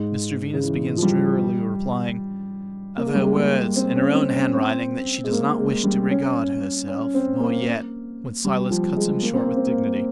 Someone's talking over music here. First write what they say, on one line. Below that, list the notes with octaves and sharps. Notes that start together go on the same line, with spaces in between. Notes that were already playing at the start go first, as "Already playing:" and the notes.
Mr Venus begins drearily replying, 'Of her words, in her own handwriting, that she does not wish to regard herself, nor yet--' when Silas cuts him short with dignity.
Already playing: G#2
C#3
E3
F3
G3
A#3
G#3
G3
G#3
A#3
C4
C#4
C4
C#4
C4
G#3
A#3
G#3
G3
C#4
C#4
C4
A#3
G3
F3
G#3
A#3
C4
A#3
C4
A#3